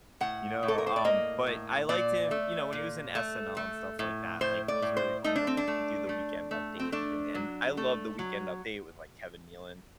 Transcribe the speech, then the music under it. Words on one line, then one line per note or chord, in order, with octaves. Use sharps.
you know, um, but I liked him, you know, when he was in SNL and stuff like that, like, those are you know, he used to do the Weekend Update and thing and I love the Weekend Update with, like, Kevin Nealon,
A2 F#5
A2
A4
A#4
C5
D5
A#3 D#5
A2
A#2 D5
A3
A#2
A3
A3
A2
A2 C5
D5
A2
C5
A3 D#4
D4
C4
D4
A3
A3
A3
C4
A3 D4
F#3
A3
F#3